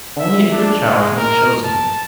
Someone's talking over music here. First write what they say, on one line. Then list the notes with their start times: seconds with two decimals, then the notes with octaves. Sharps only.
Only a good child can be chosen.
0.20 E5
0.52 D4
0.88 G#3
1.17 A#4
1.64 A5